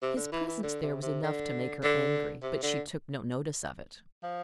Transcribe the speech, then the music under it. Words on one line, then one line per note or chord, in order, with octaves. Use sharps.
His presence there was enough to make her angry, but she took no notice of it.
C3
D3
E3
E3
D3
C3
C3
D3
D3
C3
D3
F3